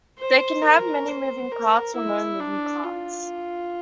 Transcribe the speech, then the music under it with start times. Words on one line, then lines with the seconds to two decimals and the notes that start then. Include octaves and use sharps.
They can have many moving parts or no moving parts.
0.19 C5
0.62 A#4
1.08 C5
1.52 A#4
1.95 E4
2.40 D4
2.85 F4